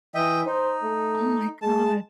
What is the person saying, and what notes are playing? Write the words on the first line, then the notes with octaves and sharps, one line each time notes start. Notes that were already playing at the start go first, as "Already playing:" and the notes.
Oh my god.
E3 D#5 E5 G5
D#4 C5
A3
G#3 A5